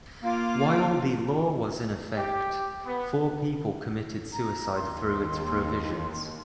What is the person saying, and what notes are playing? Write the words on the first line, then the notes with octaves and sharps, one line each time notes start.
While the law was in effect, four people committed suicide through its provisions.
A#3 F4 D6
G4
B3
A#5
D#2 C6